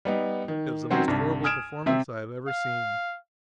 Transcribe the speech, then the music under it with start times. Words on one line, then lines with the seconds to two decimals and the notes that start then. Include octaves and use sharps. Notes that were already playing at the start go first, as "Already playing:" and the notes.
It was the most horrible performance I have ever seen.
0.05 G3 B3 D#4
0.48 D#3
0.90 D#3 F#3 C4 C#4 F#4 C5
1.08 C2 G2
1.44 G#5 D#6 F6 G#6 D7 E7
1.86 C3 C4 E5
2.47 F5